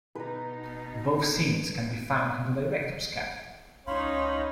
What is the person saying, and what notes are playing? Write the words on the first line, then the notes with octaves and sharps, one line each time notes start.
Both scenes can be found in the director's cut.
B2 D#4 B4 A#5
C#2 C#4 D#4 C#5 F5 B5 C6